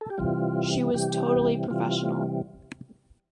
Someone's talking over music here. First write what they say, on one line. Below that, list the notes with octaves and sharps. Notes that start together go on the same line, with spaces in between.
She was totally professional.
A4
G4
C3 E3 G3 F4
C3 E3 G3 G4
C3 E3 G3 F4